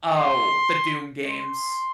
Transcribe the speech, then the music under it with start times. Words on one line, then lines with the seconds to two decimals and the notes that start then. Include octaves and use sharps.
oh, the Doom games.
0.14 C6
1.28 C6